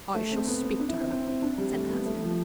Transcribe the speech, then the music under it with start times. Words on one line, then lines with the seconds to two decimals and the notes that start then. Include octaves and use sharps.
"I shall speak to her," said the husband.
0.14 A3
0.31 C4
0.47 B3
0.63 C4
0.79 D4
0.89 E4
1.00 C4
1.10 C4
1.27 C4
1.42 D4
1.58 G3
1.73 A3
1.90 B3
2.06 A3
2.22 F3